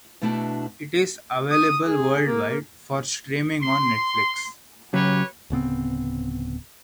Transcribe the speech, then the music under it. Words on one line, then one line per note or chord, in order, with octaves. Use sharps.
It is available worldwide for streaming on Netflix.
B2 A3 B3 D4 E4 F#4
D#6
G#4
A#3
C6
C#3 F#3 G4 B4 C#5
D1 C#3 B3 C4